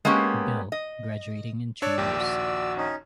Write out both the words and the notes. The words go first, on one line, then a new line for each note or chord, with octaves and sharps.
Bill, graduating in three years.
G#3 A#3 B3 C#4 G4
D#5
D4 C#5 D5 E6
A#1 D#2 G4
F#4
C#4 D#4